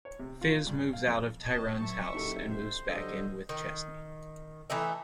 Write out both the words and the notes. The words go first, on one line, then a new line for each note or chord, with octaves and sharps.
Fiz moves out of Tyrone's house and moves back in with Chesney.
C#5
C3
F4
G2
F5
F2
C4 D#5 A5
F#2 E5 C#6
F#1 D#4 G4 A4
C5
D3 F#3 G3 C5 D#5
D#3
E3 A3 D#4 E5